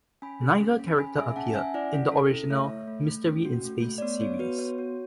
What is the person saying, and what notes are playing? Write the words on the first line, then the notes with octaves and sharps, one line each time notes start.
Neither character appeared in the original "Mystery In Space" series.
C#4 G#5 B5
G#4
C#4
C#4
C#4 G#5 B5
G#4 E5 G#5
C#4 F#5 A5
C#4 E5 G#5
E4 D5 F#5
C#4
A4
E4
A3 C#5 E5
A3
A3
A3
C#4
F#4
A3
A3
D5
B3 C#5
B3 C#5
F#4 B4
B3 C#5
F#4